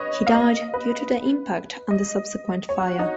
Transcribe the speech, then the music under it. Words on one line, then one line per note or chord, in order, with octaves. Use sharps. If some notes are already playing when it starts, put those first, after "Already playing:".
He died due to the impact and the subsequent fire.
Already playing: B4 C#5 D#5
F5
D#5
B4
D#5
C#5
F#4
D#4